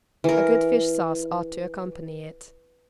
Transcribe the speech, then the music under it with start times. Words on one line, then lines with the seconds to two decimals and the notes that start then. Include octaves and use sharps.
A good fish-sauce ought to accompany it.
0.24 E3 A#4